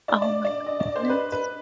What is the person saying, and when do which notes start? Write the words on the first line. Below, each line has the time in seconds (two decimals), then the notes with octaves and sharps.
Oh my goodness.
0.08 D5
0.22 D5
0.45 D5
0.66 D#5
0.80 D5
0.96 C5
1.10 B4
1.32 B4